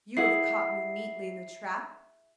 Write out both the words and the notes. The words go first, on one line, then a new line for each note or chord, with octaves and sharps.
You have caught me neatly in a trap!
E4 G#4 F#5 C7